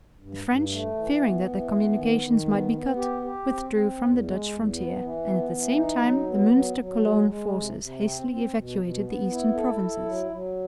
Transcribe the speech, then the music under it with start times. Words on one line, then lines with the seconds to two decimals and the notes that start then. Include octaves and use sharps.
The French, fearing that their communications might be cut, withdrew from the Dutch frontier; and at the same time the Muenster-Cologne forces hastily evacuated the eastern provinces.
0.18 G2
0.44 G2
0.69 A3
0.94 E3
1.19 B3
1.45 E3
1.70 B3
1.95 D#3
2.21 D#3
2.46 B3
2.72 B3
2.96 G4
3.22 G4
3.47 C4
3.72 C4
3.98 E2
4.24 G#3
4.49 E2
4.74 B3
4.99 E3
5.25 B3
5.50 E3
5.76 D#4
6.00 F#3
6.26 B3
6.52 F#3
6.77 F#3
7.01 G#3
7.27 G#3
7.53 C3
7.78 C3
8.03 C4
8.29 C4
8.54 B2
8.79 B2
9.05 B3
9.30 E4
9.55 A4
9.80 E4
10.06 F#3
10.31 F#3